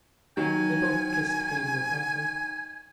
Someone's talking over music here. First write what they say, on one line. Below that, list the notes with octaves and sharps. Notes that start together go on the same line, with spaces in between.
They both kissed Gabriel frankly.
D#3 F#3 G#5